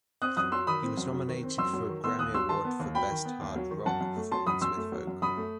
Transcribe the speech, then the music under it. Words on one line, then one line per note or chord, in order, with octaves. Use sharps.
It was nominated for a Grammy Award for Best Hard Rock Performance with Vocal.
C4 D#6 F#6
F#2 D#6 F#6
F#3 C6 E6
D#3 B5 D#6
C4
F#2
F#3
D#3
C4
F#2 C6 E6
F#3
D#3
B3 C6 E6
D#2 D#6 F#6
F#3 C6 E6
D#3 A5 C6
B3
D#2
F#3 G5 B5
D#3
B3
D#2
F#3
D#3
F#2 F#5 A5
F#2
A3
F#3 A5 C6
F#2 B5 D#6
F#2 C6 E6
A3
F#3
F#2
F#2 B5 D#6
A3